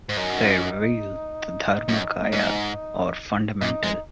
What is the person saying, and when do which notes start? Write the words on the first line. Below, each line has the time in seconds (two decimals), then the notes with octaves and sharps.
They reveal the dharmakaya, or Fundamental.
0.09 G#2
0.16 F#2 D#4
1.89 F#2
2.32 G#2
3.61 A#2 D#4
3.83 G#3